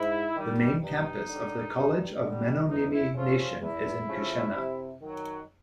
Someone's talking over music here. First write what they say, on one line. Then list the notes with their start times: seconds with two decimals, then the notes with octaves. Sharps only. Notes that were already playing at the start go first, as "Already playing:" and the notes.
The main campus of the College of Menominee Nation is in Keshena.
Already playing: G#2 E4
0.36 D#3 G3
0.82 G2 D#4
1.28 D3 G3
1.75 G2
2.22 D3 G3
2.68 E2 D#4
2.91 E4
3.15 C#3 F3 A3 C#4 F4
3.38 F4
3.62 E2 E4
4.08 C#3 F3 A3 C#4
4.55 C3
5.02 D#3 F#3